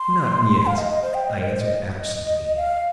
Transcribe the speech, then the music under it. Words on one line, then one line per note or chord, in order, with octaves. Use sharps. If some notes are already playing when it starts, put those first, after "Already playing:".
"Not yet," I answered absently.
Already playing: C6
F5
D#5
D#5
C5
G5
D#5
A#4
C5
D#5
F5